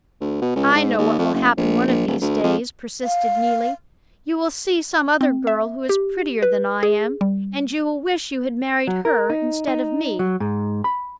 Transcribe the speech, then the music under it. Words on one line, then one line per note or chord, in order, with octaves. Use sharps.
"I know what will happen one of these days," persisted Neelie. "You will see some other girl who is prettier than I am; and you will wish you had married her instead of me!"
D2
B2
C#2
G#2
D#2
F2
F#1
A#1
A#1
D#1
D2
F2
F5
C4
E5
G4
B4
G#4
G3
F#3
A#4
D#4
D#4
F#3
G#2
B5